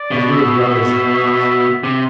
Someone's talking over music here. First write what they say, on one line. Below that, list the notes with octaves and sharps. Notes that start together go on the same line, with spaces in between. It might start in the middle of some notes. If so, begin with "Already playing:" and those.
And he would rub his hands.
Already playing: D5
B2
E5
C3